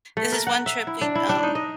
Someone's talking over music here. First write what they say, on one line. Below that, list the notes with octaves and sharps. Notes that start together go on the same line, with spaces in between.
This is one trip we, um
A3
A#4
F#5
E5
E4
D4
E4
D4
D#4
D#5